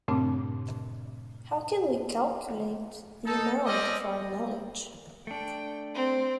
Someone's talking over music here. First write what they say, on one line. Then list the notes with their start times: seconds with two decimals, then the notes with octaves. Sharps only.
How can we calculate the amount of our knowledge?
0.08 G2 A#2 C#3 A3 C4 D4
3.26 D#4 A4
3.66 C4 C#4 D5 D#5
5.27 A3 D4 G5
5.94 C4